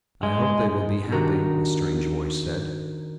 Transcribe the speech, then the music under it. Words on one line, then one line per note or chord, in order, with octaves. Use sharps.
"I hope they will be happy," a strange voice said.
G#3
D#3 D4 D#4 F#4 G4 A#4